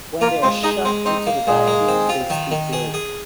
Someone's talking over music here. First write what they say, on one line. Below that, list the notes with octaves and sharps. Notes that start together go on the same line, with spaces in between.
When they are shut into the back room, they speak low.
A#3 F4 A#4
G#3 C4 C5
D#4 G#4 D#5
G#3 C4 C5
C4 D#4 C5
A#3
A#2 G#3 G#4
A#3
C4
F4
D#3
D#3
G#4
G#4